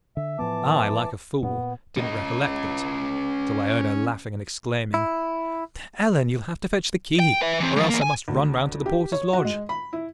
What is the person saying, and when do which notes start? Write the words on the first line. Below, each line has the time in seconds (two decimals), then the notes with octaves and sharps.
I, like a fool, didn't recollect that, till I heard her laughing and exclaiming--'Ellen! you'll have to fetch the key, or else I must run round to the porter's lodge.
0.17 D3 E5
0.39 A2 E3 F3 B3 A5 D6
1.43 A#2 B3
1.97 C#4 D#5
4.94 E4
7.19 G5
7.42 B4 E5
7.60 E3 C4
7.76 G#2 F3
7.89 E2 A#3
8.02 G#5
8.28 D2
8.86 G4
9.12 C#5
9.33 F#4
9.45 G#3
9.69 B5
9.93 E4